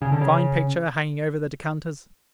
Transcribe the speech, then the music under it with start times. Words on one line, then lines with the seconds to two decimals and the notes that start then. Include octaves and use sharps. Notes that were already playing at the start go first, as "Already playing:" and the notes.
Fine picture hanging over the decanters.
0.02 C#3
0.12 D3
0.21 C#3